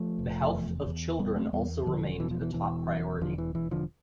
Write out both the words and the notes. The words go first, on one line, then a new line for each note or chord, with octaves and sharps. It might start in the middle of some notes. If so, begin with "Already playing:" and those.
The health of children also remained a top priority.
Already playing: F3 A3
F1
E2
E2
F1 G3 B3
A3 C4
E2 G3 B3
E1 D3 F3
B2 E3
F3
E3
E1 E3
E2
E1 D3 F3
E3
E1 E3
D3 F3